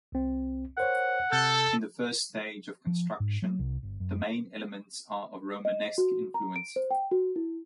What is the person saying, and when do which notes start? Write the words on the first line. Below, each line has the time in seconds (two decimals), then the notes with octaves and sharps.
In the first stage of construction, the main elements are of Romanesque influence.
0.12 C2 C4
0.78 A#4 C5 C#5 F#5
1.32 C3 A4 F6 G6
2.87 F3
3.20 G#2
3.42 F#3
3.59 C2
3.83 G1
4.00 F#2
5.65 D#5
5.98 F#4
6.34 A#5
6.56 D7
6.76 C5
6.91 G5
7.11 F#4
7.36 E4